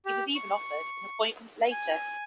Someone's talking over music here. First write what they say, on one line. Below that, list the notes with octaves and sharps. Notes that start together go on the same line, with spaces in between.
He was even offered an appointment later.
G4
C#6
G#5